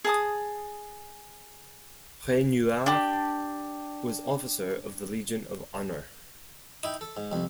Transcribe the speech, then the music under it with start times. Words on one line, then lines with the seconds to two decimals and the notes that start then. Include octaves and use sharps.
Raynouard was Officer of the Legion of Honour.
0.04 G#4 A5 D#6
2.86 D4 G4
6.83 D#4 E4 G5
7.01 A4
7.17 G#2
7.32 C2 F2